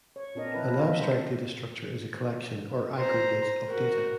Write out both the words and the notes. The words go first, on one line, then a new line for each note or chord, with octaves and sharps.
An abstract data structure is a collection, or aggregate, of data.
C#5
A#2 C4 D4 A#4 D#5
F3 D#4 E4 A#4 B4
A#3
B3 E5
C3 G#3 D4 C5
C5 A#5
F#4 A#4